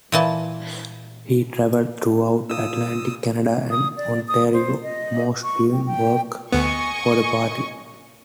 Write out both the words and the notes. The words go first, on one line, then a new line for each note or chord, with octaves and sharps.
He travelled throughout Atlantic Canada and Ontario mostly doing work for the party.
A#2 E3 A5
A#2 D#6 E6
D#6
D5
D#6
C5
D#5
C#6
G5
G5
D2 B3 D#5 G#5 C#6